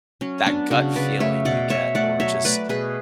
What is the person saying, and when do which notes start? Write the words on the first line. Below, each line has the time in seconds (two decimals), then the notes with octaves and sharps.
that gut feeling you get or just
0.21 F#3 C#4
0.46 B3 D4
0.70 C#3 D4 F#4
0.95 C#3 B4 D5
1.20 A3 C#5 E5
1.45 B2 D5 F#5
1.70 B2 C#5 E5
1.95 A3 D5 F#5
2.20 F#3 C#5 E5
2.44 A3 B4 D5
2.69 B2 G#4 B4